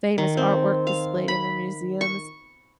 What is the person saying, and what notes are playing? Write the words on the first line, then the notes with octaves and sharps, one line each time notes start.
famous artwork displayed in the museums.
D#3
C4
F5
B5
C#6